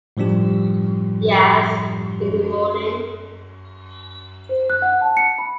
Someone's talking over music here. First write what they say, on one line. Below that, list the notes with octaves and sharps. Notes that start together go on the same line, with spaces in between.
Yes, in the morning.
A2 F3 G3 D4 G4
C5
F#6
F#5
A5
C#7
B5